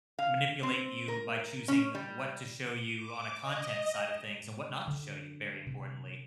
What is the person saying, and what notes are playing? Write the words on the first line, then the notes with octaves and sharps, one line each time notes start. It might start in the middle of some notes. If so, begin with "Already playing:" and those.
manipulate you by choosing what to show you on a content side of things, and what not to show you, very importantly.
F5
C4
A#4
C#4
G3
D6
D#5
D3
C3